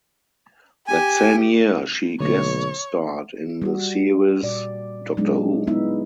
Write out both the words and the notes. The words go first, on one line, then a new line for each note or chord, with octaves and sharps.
That same year she guest starred in the series "Doctor Who".
G4 G#5
B1 D3 A3 A#3 C#5
G3 F#4
A#2 D5
F#3 G#3 B3 D4 D#4
F#3 G#3 B3 D#4 E4 E5